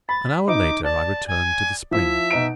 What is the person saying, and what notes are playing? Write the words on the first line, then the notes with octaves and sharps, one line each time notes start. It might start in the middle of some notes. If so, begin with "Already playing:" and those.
An hour later I returned to the spring.
B5 A6
D#4 D6
D5 A5
G#5
F3 E4 E5
B2 D#4 D7